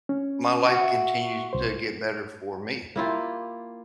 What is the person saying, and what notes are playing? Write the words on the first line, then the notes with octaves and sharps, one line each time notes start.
my life continues to get better for me,
C#4
F#4
E5
C2 C5
A#3 E4 F4 G4